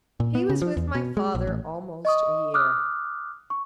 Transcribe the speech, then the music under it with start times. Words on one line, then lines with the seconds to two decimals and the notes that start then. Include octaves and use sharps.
He was with my father almost a year.
0.20 A#2
0.35 B3
0.49 C#3
0.62 F3
0.77 E2
0.95 B2
1.17 G#3
1.35 A#1
1.47 A1
2.05 D#5 C#6 D#6
2.54 D6 D#6 F6 F#6
3.50 C#6